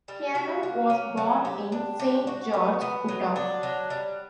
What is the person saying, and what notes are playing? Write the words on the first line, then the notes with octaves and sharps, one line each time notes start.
Cannon was born in Saint George, Utah.
G3
F#4
A#3
C#4
F#3
G4
D4
G4
F#4
B3
B3
F#3
D4
F#3
G3